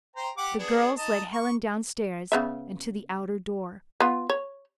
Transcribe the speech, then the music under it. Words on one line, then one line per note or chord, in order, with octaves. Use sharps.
The girls led Helen downstairs and to the outer door.
C5 G5 A#5
G4 F#5 D6
B3 D4 G#4
D#4 D#5 A5
C#6
C#3 B3 E5
B3 F4
C#5